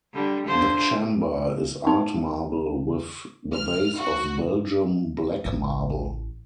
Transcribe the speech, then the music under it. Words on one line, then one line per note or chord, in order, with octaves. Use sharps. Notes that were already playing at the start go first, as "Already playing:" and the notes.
The Chamber is art marble with the base of Belgium black marble.
D3 G3
D3 F4 C5
D#4
F6
F#4
A1